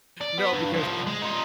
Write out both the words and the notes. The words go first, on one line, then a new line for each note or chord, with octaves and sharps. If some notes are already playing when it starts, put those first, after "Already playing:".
"No, because
D5
B3
G2
C2 F3
G#3
D#4 F4